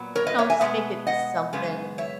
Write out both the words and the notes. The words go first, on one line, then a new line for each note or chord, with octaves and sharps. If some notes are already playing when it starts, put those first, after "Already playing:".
you know, just make it something.
Already playing: A#2 F#3 B3
A#4 C#5
B4 D#5
C#5 E5
E5 G#5
B2 G#3 B3
D#5 F#5
F#2 C#3 G#3 B3
C#5 E5